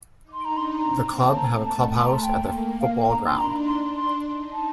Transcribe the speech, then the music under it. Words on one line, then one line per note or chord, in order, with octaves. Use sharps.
The club have a clubhouse at their football ground.
D#4
C6
A#5
D4
C6
C4 A#5
A#3
A5
A3 A#5
A5
C6
A#5
A5
A#3 G5
A#3 F5
D4 A#5
C6
D#4 A#5
D4 C6
D4 C6
D#4
A5